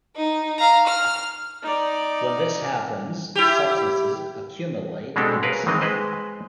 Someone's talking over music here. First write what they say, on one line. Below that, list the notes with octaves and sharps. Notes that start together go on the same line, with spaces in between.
When this happens, substances accumulate in the cell.
D#4
F5 A#5
F6
D#4 D5
E4 G4
B2 G#3 C4 D4 G4 A4
G#4 A#4 B4 C#5 F5
D#3 E3 G#3 C4 D#5
G#3 B4 C5 D#5